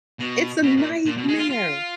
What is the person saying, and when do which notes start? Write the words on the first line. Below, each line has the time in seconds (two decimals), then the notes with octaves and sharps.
It's a nightmare.
0.19 B2
0.62 B2
0.77 A#2
1.06 A#2
1.17 B2
1.28 G#3
1.40 F4
1.50 F4